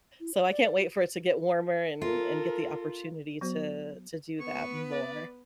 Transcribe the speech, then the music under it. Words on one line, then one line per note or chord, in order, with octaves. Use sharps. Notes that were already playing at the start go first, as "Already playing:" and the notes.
So I can't wait for it to get warmer and and get the opportunity to to do that more.
E4
C#5
D5
D5
F#4
F4 A4 A#4
F#3 B3 F#4 C5
B3 B4 C#6
D5